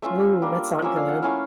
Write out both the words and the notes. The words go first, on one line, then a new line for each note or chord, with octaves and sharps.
Ooh, that's not good.
A3 C#4 F4 E5
G3 A#3 D4
F3 A#3 C#4 E5
F5
F#5
A3 C#4 E4 F5